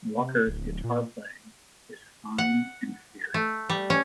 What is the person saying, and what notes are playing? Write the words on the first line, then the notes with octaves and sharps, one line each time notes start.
Walker's guitar playing is fine and fierce.
C3
D1
A#2
F#5
A3
G3
C#4